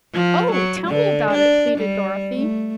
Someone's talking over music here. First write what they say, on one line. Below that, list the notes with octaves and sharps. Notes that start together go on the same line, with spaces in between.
"Oh, tell me about it!" pleaded Dorothy.
F3
F#3
D3
D4
G3
A3